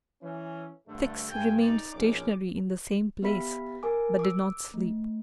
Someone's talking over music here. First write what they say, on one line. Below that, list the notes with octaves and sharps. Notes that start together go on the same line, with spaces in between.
Fix remained stationary in the same place, but did not sleep.
E3 C#4
G2 D3 A3
G2 G5 G#5
D#4 D5
A#1 C#4 D6
B3 G4 B4 E5 B5 B6
A#4 G#5 D6
D6 E6
A3